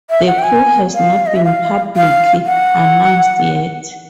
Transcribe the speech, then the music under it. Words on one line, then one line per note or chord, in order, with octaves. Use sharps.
The crew has not been publicly announced yet.
E5
F#5
G5
G#5
F5
D#5
E5
F5
F5
F#5